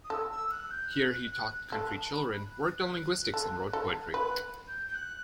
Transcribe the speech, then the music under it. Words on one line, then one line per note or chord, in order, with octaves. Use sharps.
Here he taught country children, worked on linguistics and wrote poetry.
D#6
A4 E6
E6
F#6
G6
F#6
F#6
F#6
F#6
A4 F#6
A5
B5
F#6
A4
A4
B4 F#6
G6
G6
F#6